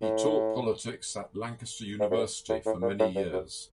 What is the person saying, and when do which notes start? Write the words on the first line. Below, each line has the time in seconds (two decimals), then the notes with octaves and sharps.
He taught politics at Lancaster University for many years.
0.02 A2
2.00 G#2
2.11 F#2
2.16 G2
2.49 A2
2.66 A2
2.82 A#2
3.00 A2
3.15 G2
3.32 F#2